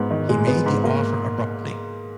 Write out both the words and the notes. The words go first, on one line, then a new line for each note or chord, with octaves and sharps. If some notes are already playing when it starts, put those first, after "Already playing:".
He made the offer abruptly.
Already playing: G#2 B3
D#3
G#3
B3
G#2
A#3